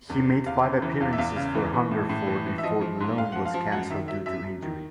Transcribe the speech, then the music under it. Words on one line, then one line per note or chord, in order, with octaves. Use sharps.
He made five appearances for Hungerford before the loan was cancelled due to injury.
E2
C3
E2 F5
C#3
E3
E2 F5
E5
E2 F5
C#3 F5
E3
E3
A2
A2
E3
E3
E5
F3 D#5
F3
G#2
G#2 F5
F3 F#5
F5
F3
F#2 F#5
D#3 E5
F#3 E5
F#2 E5
F#2
D#3